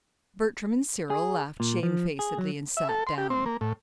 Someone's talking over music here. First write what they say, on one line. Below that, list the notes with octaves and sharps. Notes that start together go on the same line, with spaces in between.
Bertram and Cyril laughed shamefacedly and sat down.
G#4
A#2
F3
G#4
F#3
E5
A4
C6
G4
C4
A#3
A2